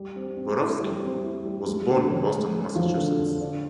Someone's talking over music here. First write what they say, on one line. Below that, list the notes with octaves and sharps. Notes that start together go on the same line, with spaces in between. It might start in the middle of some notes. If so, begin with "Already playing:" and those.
Borofsky was born in Boston, Massachusetts.
Already playing: G3
C4
C4
E4
G3
C4
E4
G3
G#3
D3
C#4
G#3
G#3
F3
D3
D3
D4